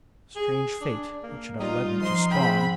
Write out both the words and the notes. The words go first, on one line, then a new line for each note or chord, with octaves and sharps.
Strange fate that should have led me to Spawn!
G#4
D4
A#3
G3 D#4 F4 D#5
F3 D#5 C6
G#2 C4 B5